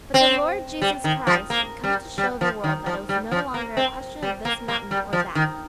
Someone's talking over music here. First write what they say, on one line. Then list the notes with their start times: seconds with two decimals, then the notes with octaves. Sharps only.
But the Lord Jesus Christ had come to show the world that it was no longer a question of this mountain or that.
0.14 C4
0.82 G3
1.04 D#3
1.27 F3
1.50 A#3
1.84 G3
2.18 G3
2.41 F3
2.64 D#3
2.86 F3
3.09 G3
3.31 F3
3.54 A#3
3.77 C4
4.22 G3
4.45 A#3
4.68 A#3
4.91 G3
5.13 F3
5.35 D#3